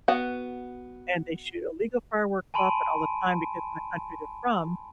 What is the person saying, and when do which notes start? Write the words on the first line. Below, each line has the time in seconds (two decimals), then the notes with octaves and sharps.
And they shoot illegal fireworks up and all the time because in the country they're from,
0.08 B3 F#4 F#5
2.54 G#5 A5 B5 C6 D7 D#7